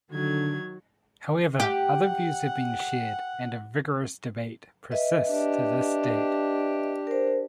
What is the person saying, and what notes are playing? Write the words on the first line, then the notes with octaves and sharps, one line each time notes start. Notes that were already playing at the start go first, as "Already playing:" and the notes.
However, other views have been shared, and a vigorous debate persists to this date.
D3 D#3 F#3 G#6
G4 F#5 G5
B4 D#5 E5
D4 G4
A#4 C5